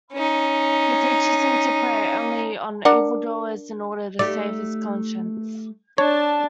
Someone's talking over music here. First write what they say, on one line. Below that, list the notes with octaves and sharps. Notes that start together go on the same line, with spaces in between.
He teaches him to prey only on evildoers in order to save his conscience.
C#4 D#4
D4 A#4 F#5
A3 D#4 G4 D5
D4 C#5 A5